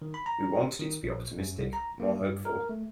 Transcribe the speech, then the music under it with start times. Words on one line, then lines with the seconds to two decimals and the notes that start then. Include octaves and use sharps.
We wanted it to be optimistic, more hopeful.
0.02 D#3
0.14 B5
0.26 A#5
0.79 D#3
1.03 A#1
1.38 F#2
1.58 C2
1.73 A#5
2.00 A#3
2.21 G2
2.45 A#4
2.69 A3